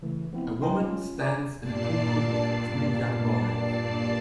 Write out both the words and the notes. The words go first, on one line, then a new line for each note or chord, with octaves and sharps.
A woman stands in a pool with three young boys.
C#3 E3 A3
F3 B3 C4 E4
D#4 D#5 G5 C6
C#4 F4
G#4 D5 G#5 A#5 D6
G2 A#2 D5 A5 C7